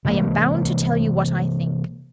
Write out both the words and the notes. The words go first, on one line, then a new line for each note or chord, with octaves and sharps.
I am bound to tell you what I think.
C3 E3 G#3 A#3